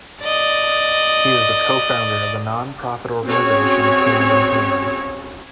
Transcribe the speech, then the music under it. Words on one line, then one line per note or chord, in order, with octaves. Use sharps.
He is the co-founder of the non-profit organization Hand in Hand.
D5 D#5
C4 C#4 F#4 G#4 C#5